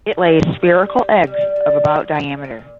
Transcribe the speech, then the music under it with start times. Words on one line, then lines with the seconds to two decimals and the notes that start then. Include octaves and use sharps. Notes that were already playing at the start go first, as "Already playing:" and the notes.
It lays spherical eggs of about diameter.
0.09 A#2
0.24 G3
0.38 G4
0.53 A#2
0.67 A#2
0.83 G3
0.97 G4
1.12 G4
1.27 G3
1.41 G3
1.56 G3
1.71 G3
1.85 C4
2.00 A#2
2.15 C4
2.29 A#2
2.44 F3
2.59 A#2